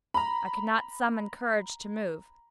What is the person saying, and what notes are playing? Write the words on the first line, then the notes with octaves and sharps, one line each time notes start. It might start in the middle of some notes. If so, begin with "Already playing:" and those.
I could not summon courage to move.
A#5 B5